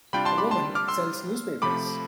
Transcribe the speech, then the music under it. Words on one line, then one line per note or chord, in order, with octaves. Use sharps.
A woman sells newspapers.
C3 G3 D4 F4 G5 B5
A5 C6
B5 D6
A5 C6
D6 F6
C6 E6
C3 F3 A3 B5 D6